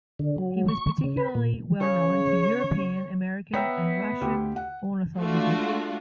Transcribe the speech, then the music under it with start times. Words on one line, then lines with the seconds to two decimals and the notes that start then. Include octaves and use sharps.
He was particularly well-known to European, American and Russian ornithologists.
0.19 D3
0.38 F#3
0.68 C#6
1.04 C#3
1.17 B4
1.35 A#2
1.80 C#3 C#5
3.54 B3 C#5 E5 G5 A#5
4.21 D2 G4
4.56 F#5
5.17 G#3 A3 D4 F4 F#4